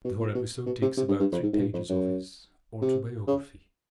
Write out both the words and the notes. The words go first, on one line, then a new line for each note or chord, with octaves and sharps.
The whole episode takes about three pages of his autobiography.
B2
A#2
B2
B2
C3
C3
G2
G2
F2
G#2
G#2
G2
F2
F#2
C3
C#3